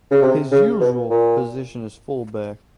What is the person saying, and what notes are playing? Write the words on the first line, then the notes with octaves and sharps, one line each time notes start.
His usual position is full back.
C#3
C3
C#3
B2
A#2